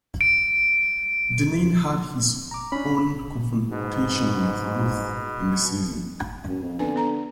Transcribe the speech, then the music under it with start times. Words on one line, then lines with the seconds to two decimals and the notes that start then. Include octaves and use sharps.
Dinneen had his own confrontation with Ruth in the season.
0.21 D7
2.51 A#5 D6
2.72 C#4 D4 B5
3.70 G#2 B2
6.49 F#2
6.62 F2
6.79 D3 B3 B4 G#5
6.96 B3 A4 A#5